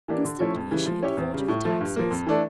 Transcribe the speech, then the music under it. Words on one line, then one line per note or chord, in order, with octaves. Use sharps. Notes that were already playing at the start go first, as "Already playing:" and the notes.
Instantly she had thought of the taxes.
E3 A#3 D4 G4
D3
F3 A3 C#4 E4
F2
C#3 E3 G3
F3
C#4 E4 G4 C#5
E2
C#3 G3
A2
F3 A3
G2
F3 A#3
F2
E3 A3 D4 A4